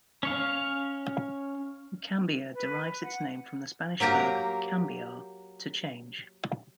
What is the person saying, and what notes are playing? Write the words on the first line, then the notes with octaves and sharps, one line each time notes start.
Cambia derives its name from the Spanish verb "cambiar", to change.
C#4 C#5 F5
B4
F#5
F#3 A#3 G4 A#4